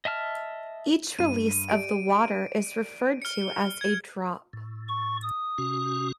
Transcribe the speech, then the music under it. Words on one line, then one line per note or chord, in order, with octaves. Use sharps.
Each release of the water is referred to as a drop.
D#5 E5 A5 F6
G2 D#7
G4 D5 D7
F6 C#7
G#6
A2
C#6
D#6
C3 C#4 F#4